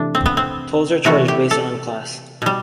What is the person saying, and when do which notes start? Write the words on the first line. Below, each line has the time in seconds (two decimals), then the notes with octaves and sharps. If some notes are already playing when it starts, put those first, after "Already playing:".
Tolls are charged based on class.
Already playing: C3 E3 A3 D4
0.15 C4
0.26 B3
0.37 C4
1.05 C3 E3 A3 F#4
1.28 G4
1.51 A4
2.42 B2 G3